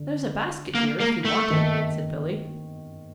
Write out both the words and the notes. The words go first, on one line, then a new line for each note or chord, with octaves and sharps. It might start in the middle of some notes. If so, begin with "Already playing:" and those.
"There's a basket here, if you want it," said Billy.
Already playing: D3
A#3
A#3
A3
D#3